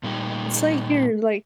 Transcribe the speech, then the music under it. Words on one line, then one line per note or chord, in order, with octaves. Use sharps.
It's like you're like
A#2 G3 A3 D#4 G4